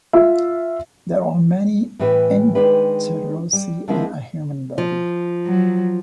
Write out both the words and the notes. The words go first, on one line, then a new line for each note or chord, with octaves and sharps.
There are many interossei in a human body.
F4 E5
A2 E3 G4 B4
D#3 G#3 D4 G4 B4
G3
D3 F3 G#3 A#3 C4 E4
F3
F#3